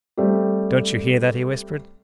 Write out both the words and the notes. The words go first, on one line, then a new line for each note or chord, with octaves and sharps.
"Don't you hear that?" he whispered.
G3 A3 C4 G4